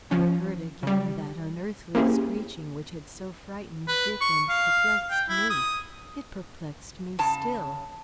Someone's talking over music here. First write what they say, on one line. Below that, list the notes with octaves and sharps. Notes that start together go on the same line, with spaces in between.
I heard again that unearthly screeching which had so frightened Dick and perplexed me, It perplexed me still.
F3 C#4
C#3 G3
A#3 C4 C#4 E4 G4 G#4
B4
C#6
F5
G5
E4
D#6
C#3 A5